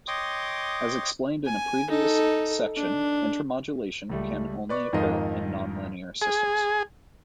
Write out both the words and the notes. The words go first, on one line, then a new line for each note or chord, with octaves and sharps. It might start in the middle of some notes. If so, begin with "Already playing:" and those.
As explained in a previous section, intermodulation can only occur in non-linear systems.
C#5 D#5 G5 C6 D6 D#6
G#5
D#4 A4
D4
C#2 G3 A3
B4 D5 C#6
F2 G#2 D#3 A#4 D#5 F5
G#4